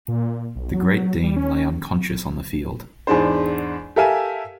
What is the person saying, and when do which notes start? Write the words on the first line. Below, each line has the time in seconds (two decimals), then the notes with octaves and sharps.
The great Dean lay unconscious on the field.
0.08 A#2
0.55 B1
0.73 F#3
1.23 G3
1.36 C#4
3.07 E2 G#2 G#3 D4 C5
3.96 G4 A4 A#4 E5 F5 G#5